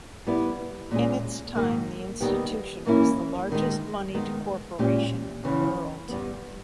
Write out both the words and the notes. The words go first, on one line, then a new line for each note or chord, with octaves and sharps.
In its time, the institution was the largest monied corporation in the world.
G3 B3 E4
A#2 G#3 C#4 G#4
G#2 D#3 A#3
D#2 D#3 G3 B3 G4
G#2 E3 A#3 C#4 E4
D#2 D#3 G#3
D#3 G#3 B3
A#2 G#3 C#4 G4
E2 C#3 E3
G2 G3 B3